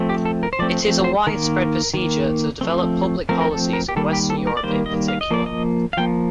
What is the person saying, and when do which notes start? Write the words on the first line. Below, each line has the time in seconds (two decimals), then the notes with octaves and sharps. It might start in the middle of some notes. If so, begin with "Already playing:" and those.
It is a widespread procedure to develop public policies in Western Europe in particular.
Already playing: F3 A3 C4
0.09 G4
0.25 A4
0.43 A#4
0.53 C5
0.59 F3 A3 C4 D5
0.82 C5
1.04 C5
1.27 D#3 A#3 A#4
1.94 D#3 A#3
2.61 F3 A3 C4
3.29 F3 A3 C4 A#4
3.41 A#4
3.51 A4
3.73 A#4
3.89 G4
3.96 D#3 G3 A#3 A4
4.13 G4
4.30 A4
4.47 A#4
4.57 D5
4.63 D#3 G3 A#3 C5
4.86 D#5
5.08 F5
5.21 D#5
5.31 F3 A#3 D5
5.46 D#5
5.93 F5
5.97 F3 A#3 G5